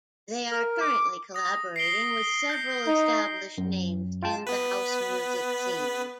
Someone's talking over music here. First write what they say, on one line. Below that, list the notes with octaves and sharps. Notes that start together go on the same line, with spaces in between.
They are currently collaborating with several established names in the house music scene.
A#4
D6
D#6 A#6
C7 D7 G7
G6 C7 C#7
D#4
F#2
F4 G5 A5
B3 B4